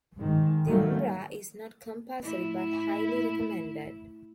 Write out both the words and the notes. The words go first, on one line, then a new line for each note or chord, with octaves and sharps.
The Umrah is not compulsory but highly recommended.
G#2 D#3
D3 D#3 F#3 G3 A3 A#3
A2 E4